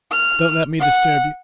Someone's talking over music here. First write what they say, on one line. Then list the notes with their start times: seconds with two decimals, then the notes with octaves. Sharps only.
Don't let me disturb you.
0.11 F6
0.80 F#5